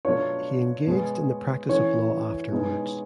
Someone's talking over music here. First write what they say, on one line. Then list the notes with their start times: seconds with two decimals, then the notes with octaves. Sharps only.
He engaged in the practice of law afterwards.
0.05 B2 F#3 A3 D4 F4 C#5
0.87 B2 G#3 B3
1.69 E3 A3 C#4 C#5
2.52 B2 G#3 B3 D#4